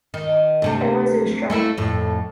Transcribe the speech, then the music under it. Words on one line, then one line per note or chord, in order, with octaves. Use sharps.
Otherwise, it was dropped.
D#3
D2 C3 A3
A3 A#3 E4
F2 A2